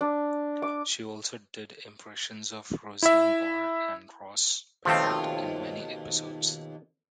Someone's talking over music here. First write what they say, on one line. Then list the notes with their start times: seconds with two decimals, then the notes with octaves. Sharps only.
She also did impressions of Roseanne Barr and Ross Perot in many episodes.
0.01 D4
0.62 D6
3.03 E4 E5
4.85 D#2 B2 F3 A3 C4 F4